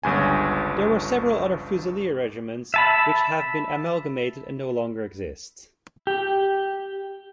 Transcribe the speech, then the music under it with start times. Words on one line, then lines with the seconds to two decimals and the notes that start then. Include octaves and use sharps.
There were several other fusilier regiments which have been amalgamated and no longer exist.
0.03 G1 C#2 G2 G#5
2.74 E5 A5 B5
6.07 G4